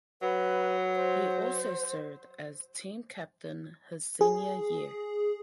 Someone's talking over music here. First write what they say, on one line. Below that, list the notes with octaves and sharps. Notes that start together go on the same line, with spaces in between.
He also served as team captain his senior year.
F#3 B4
C5
G#4